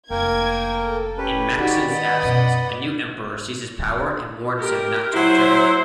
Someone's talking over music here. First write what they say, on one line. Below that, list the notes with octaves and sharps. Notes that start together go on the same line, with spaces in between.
In Macsen's absence, a new emperor seizes power and warns him not to return.
F1 A#3 A#4 G5 G#6
A4
C#4 G4 B4
D#3 D#4 F#4 G4 D5 B5
B3 D#5 F#5
F#2 B2
G4 A#4
F#3 E4 C5